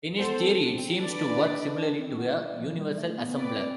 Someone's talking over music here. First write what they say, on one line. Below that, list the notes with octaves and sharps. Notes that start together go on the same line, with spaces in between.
In its theory it seems to work similarly to a universal assembler.
B3 A4 C5
C4
D4
C4
D4 B4 D5
D4
C4
B3
G3
F3
G3
A3
B3
C4 B4 D5